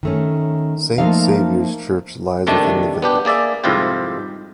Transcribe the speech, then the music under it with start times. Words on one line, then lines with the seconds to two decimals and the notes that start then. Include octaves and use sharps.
Saint Saviour's Church lies within the village.
0.03 D#3 A3 C#4
0.98 F3 A3 A#3 D#4 F5
2.47 D#2 C3 D#3 G3 A3 D4
3.02 B3 D4 G4
3.25 A#3 G#4 D5 E5
3.64 C2 F2 G#2 E4 F4 G4